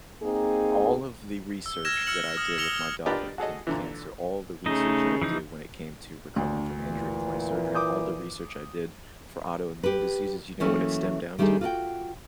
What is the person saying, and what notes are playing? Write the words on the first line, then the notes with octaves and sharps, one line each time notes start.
All of the research that I did with my dog when it came to cancer, all the research that I did when it came to recovering from injury from my surgery, and all the research I did for autoimmune diseases, you know what it stemmed down to?
A#3 C4 D#4 G#4
E6
E6 F6 G#6 A#6 E7
E6 F6 C#7 F#7
D#6 F6
E6 A#6 C#7 F7 G7
D4 F4 G4 A#4 B4 D#5
F#4 G#4 A4 D#5
A#2 D3 E3
C#3 A3 D#4 D#5
E3 F3 D#4
D2 D4
A#2 E3
D6 D#6 G6
G4 B4
E3 F#3 A3 A#3 C#4
D#3 G3 A3 D4 D#4 G#4
F4 F#4 D#5 G5